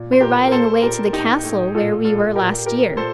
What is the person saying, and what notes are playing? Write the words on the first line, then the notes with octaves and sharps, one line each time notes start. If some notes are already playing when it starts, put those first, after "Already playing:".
"We are riding away to the castle where we were last year!"
Already playing: A#2
C5
A#2 G4 A#4
A#4
A#2 A4 C5
A#2 G4 A#4
A2 D#4 G4
A2
A#2 F4 A4
A#2 F4 A4
A#2 G4 A#4
A#2 G4 A#4
A#2 A4 C5